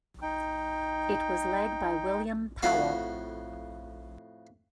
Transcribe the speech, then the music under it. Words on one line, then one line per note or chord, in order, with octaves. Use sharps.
It was led by William Powell.
D#4 G5
F2 A2 F4 F#4 F5 B5